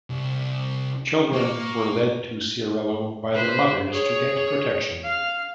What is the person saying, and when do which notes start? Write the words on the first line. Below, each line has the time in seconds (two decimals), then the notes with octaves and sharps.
Children were led to Ciarallo by their mothers to get protection.
0.10 C2
1.33 A#3 C#6
3.33 B4 C5
3.90 G#4 C#5
5.04 F5